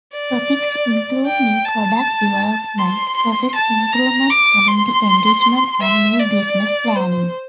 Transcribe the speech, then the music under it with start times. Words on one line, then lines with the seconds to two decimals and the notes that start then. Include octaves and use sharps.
Topics include new product development, process improvement, community enrichment, and new business planning.
0.13 D5
1.26 G5
1.65 A5
2.78 C6
3.17 C6
3.55 A5
3.92 A#5
4.30 D6
4.68 C6
5.82 E5
6.19 D5
6.96 C5